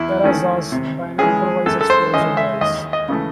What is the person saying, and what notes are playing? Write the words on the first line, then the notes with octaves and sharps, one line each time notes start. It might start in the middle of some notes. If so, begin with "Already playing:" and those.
Terrazas by an improvised explosive device.
Already playing: E2 E4
D#3 A3 C#4
C3
E3 G#3 C#4 G#4
F#2 A4
A4
C5
E3 G#3 C#4 D#5
E5
D#2 D#5
D#5
C#3 E3 A3